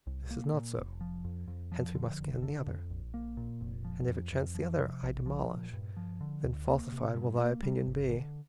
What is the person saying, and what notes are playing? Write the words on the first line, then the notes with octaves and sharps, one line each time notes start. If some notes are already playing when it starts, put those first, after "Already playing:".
This is not so; hence we must scan the other, And if it chance the other I demolish, Then falsified will thy opinion be.
C2
A#3
A#2
F1
F3
F2
F2
F3
D3
F1
D3
F2
A#1
A#3
A#2
F1
F3
F2
F2
F3
C3
A#1
F3
A#2
G2
F3
D3
D2
A#3
C3
G2
A#3
G3
G1
D3